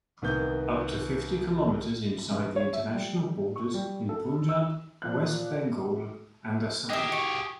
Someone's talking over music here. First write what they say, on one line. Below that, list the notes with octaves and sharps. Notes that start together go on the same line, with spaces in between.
Up to fifty kilometres inside the international borders in Punjab, West Bengal and Assam.
C2 D#3 B3 G6
G2
C#5
E5
G3
C#6
G3
A4
E6
A#2 F3 F#6
D#4 G4 G#4 E5
C#6